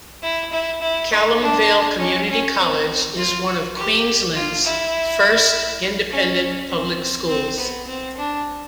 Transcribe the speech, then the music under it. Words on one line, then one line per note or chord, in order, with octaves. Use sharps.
Calamvale Community College is one of Queensland's first Independent Public Schools.
E4
E4
E4
D#4
D4
C#4
C#4
C4
F4
F#4
G4
F4
E4
C#4
C4
C4
B3
C4
D4